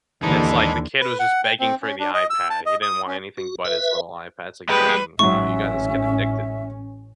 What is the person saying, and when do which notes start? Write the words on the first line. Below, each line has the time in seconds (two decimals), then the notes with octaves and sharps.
it's like the kid was just begging for the iPad, he didn't want anything but his little iPad. It's like, "Dang. Wow, you got this kid addicted."
0.23 D#2 D3 E3 G#3 D4 D#4 B5
1.01 B4
1.19 F#5
1.44 G5
1.60 C4
1.82 C#4
1.99 D4
2.14 D#5
2.30 E6
2.50 A5
2.66 D#5
2.82 D#6
3.07 C#4
3.37 F#4
3.65 B4 E5
4.69 G3 G#3 B4
5.19 A1 G#2 F#3 C#4 E5 C#6